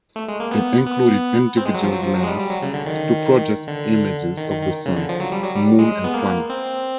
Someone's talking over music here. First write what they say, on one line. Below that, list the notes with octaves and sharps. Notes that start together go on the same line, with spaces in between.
It included individual lamps to project images of the Sun, Moon and planets.
A3
G#3
A#3
B3
B3
C4
G#3
F#3
F3
F#3
F3
F#3
G#3
G3
G3
F#3
C#3
D3
D#3
D3
D#3
D#3
D#3
C#3
D3
F3
F#3
G3
F#3
G3
G#3
B3
A#3
C4